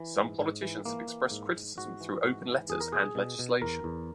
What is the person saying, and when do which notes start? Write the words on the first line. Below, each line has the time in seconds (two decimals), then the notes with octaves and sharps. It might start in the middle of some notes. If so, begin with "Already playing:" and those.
Some politicians have expressed criticism through open letters and legislation.
Already playing: E3
0.16 G#2
0.38 G#2
0.62 E3
0.86 E3 A#3
1.07 E3
1.31 G#2
1.55 G#2
1.77 G#2 F#4
2.01 E3
2.23 G#2 F#4
2.47 E3
2.69 E2 G#4
2.81 A#4
2.92 B2 G#4
3.15 B2
3.39 B2
3.62 E2 A#4
3.84 E2